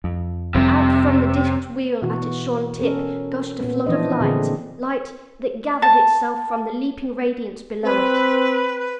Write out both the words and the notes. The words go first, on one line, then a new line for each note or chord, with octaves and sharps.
Out from the disked wheel at its shorn tip gushed a flood of light--light that gathered itself from the leaping radiance below it.
F2
F1 F2 C3 G3
B2 E3 F#4
C#4 A4 A#4
A#2 B3
E3 F3 D4 C5 D#5
A#2 D3 C4 G#4
A5
C4 B4